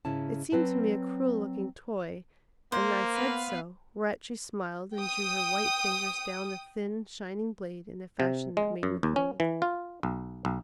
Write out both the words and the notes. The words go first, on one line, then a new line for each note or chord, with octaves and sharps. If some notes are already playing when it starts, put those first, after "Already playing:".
It seemed to me a cruel-looking toy and I said so--whereat she smiled and drew her white fingers down the thin, shining blade in a fashion that made me cold.
G#2 C#3 C#4 E4 A5
F#3 C4 B4 A5
A#3 C5
B3 B4 F5
G5 D#6
C3
G#3
F#2
D#2
C#4
E3
F4
B1
B1